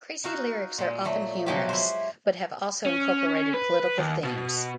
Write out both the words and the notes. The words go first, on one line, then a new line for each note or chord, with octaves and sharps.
Crazy's lyrics are often humorous, but have also incorporated political themes.
D#4 F#4 F5
A#2 G#3
A#2 F#3 A3
B2 F3 F#3 G#3 F#4 G4
E4 C5
C#4
B4
D#2
B2